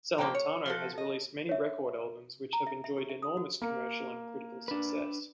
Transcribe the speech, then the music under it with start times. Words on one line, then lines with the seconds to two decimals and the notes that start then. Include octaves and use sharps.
Celentano has released many record albums which have enjoyed enormous commercial and critical success.
0.18 F3 A#3 D#4 C5 G5 A#5
0.35 C#5
0.66 F3 F#4 A4
0.98 D#5
1.49 C#5 E5
2.53 A#5
2.67 E5
2.84 E5
2.98 G4
3.09 E5
3.22 D#6
3.37 F#4
3.62 A#3
4.68 D4 B4